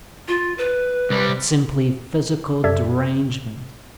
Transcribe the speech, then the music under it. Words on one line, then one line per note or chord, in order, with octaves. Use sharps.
It's simply physical derangement.
F4
B4
C2 G3
F#2 C3 A4 D5 E5 G#6